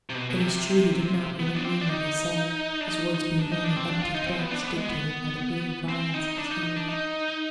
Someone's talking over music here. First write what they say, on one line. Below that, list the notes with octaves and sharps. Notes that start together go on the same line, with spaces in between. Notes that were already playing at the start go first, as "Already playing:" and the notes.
It is true he did not really mean what he said, his words being only empty threats dictated by the brutal violence of his anger.
C3
B2
B2
C3
B3
D4
C4
D4
D#4
D4
D#4
D#4
D4
D#4
D4
C4
D4
F4
D#4
C4
B3
D4
B3
G#3
B3
C4
D#4
D4
D#4
D#4
D4
D#4